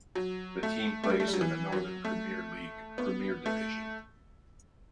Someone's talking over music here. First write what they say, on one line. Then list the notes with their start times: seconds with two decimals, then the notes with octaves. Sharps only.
The team plays in the Northern Premier League Premier Division.
0.15 F#3
0.63 A3
1.04 A3
1.10 G3
1.20 A3
1.27 G3
1.33 F#3
1.41 E3
1.72 F#3
2.05 A3
2.98 B3
3.46 A3